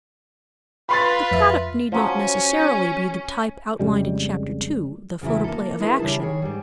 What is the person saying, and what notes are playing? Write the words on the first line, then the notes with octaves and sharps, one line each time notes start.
The product need not necessarily be the type outlined in chapter two, The Photoplay of Action.
F4 B4 B5 C6 A6
F2 E5
F3 F#3 C#4
F2 C#3 G3 G#3
E2 C#3 F#3 E4
A#3 A4
E4 G#4 A#4 B4 D#5
C#3 G3 E4 A5
D#3 G#4 C#5
G#2 G3